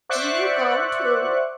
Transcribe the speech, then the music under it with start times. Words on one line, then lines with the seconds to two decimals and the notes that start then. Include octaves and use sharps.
Do you go too.
0.09 C5 D5 E5 F#5 C#6 F#6